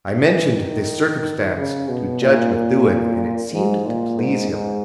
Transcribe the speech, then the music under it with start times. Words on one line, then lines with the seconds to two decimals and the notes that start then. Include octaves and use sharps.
I mentioned this circumstance to Judge Methuen, and it seemed to please him.
0.25 E3
0.57 D#3
1.56 C#3
1.89 B2
2.22 A#2
2.55 A#2
3.53 G#2
3.86 A#2
4.19 G#2
4.51 G#2